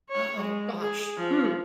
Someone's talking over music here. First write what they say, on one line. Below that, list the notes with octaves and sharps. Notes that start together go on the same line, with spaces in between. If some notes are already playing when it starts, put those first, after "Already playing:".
Oh gosh, hmm.
C#5
G#3
G#4
F3